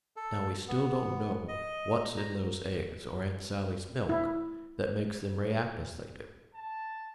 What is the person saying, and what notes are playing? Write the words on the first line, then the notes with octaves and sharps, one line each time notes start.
Now we still don't know what's in those eggs or in Sally's milk that make them react as they do.
A4
B3
D#5
A#5
E4
A5